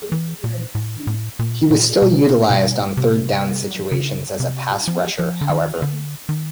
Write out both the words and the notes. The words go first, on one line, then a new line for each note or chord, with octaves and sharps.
He was still utilized on third-down situations as a pass rusher, however.
E3
A#2
A2
A2
A#2
A#2
B2
B2
C3
C#3
C3
F3
F3
D3
D#3
D3
D#3